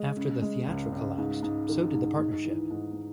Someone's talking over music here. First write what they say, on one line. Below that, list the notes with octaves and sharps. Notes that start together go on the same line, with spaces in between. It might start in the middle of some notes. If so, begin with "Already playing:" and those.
After the theatre collapsed, so did the partnership.
Already playing: G#3
C#3
G#3
C#2
C#2
G#2
G#2
D#3
G#2
G#2
E3
G#2